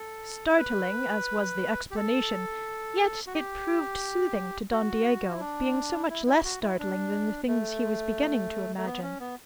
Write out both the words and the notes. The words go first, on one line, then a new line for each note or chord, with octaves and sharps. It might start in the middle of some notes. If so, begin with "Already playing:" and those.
Startling as was the explanation, yet it proved soothing to Don Diego, being so much less startling than the things he was beginning to imagine.
Already playing: A4
B4
G4
A4
F#4
G4
F#4
E4
D4
E4
E4
F#4
E4
D4
A3
A3
B3
C#4
B3